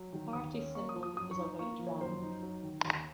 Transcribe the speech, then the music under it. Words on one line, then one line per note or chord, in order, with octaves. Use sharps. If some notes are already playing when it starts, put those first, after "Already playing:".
The party's symbol is a white ram.
Already playing: F#3
D#3
D#2 D#6
C#4
A#3 C#6
D#6
F3
D#6
F#2 D#6
C#6
D#4
A#3 C#6
F3
C#5
F#2 C5
D#4
F#3
D#3
D#2